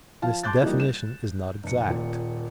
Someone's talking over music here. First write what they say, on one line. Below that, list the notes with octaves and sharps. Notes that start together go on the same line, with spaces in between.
'This definition is not exact.
F3 F5 A5
A5 C6 D6 F#6 G6 A6
E3 F3 G3 A#3 D#4
E7
F1 C#7
D#1 A#2